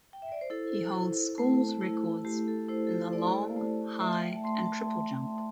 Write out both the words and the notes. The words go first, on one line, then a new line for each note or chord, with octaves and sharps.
He holds schools records in the long, high, and triple jump.
G5
E5
D5
C5
E4 A4
E4
A3
E4
A3 G4
A4
E4 C5
A4
C5
E4 D5
A3
A3 E5
G5
A5
A3 C6
A5